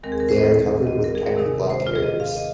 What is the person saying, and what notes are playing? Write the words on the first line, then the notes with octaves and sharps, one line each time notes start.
They are covered with tiny black hairs.
D#2 D#3 G#3 C4 A#4
G#4
A#4
C5
D#5
D#5
A#4
G#4
A#4
C3 D#3 G#3 D#4
C5
F4
G#4
D#5
F5
D#5